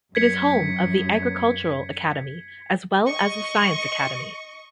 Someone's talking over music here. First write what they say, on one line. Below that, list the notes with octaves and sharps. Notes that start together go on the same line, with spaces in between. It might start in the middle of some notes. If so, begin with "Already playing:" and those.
It is home of the Agriculture Academy as well as the Science Academy.
F#2 G#6 B6 C#7
D#5 C#6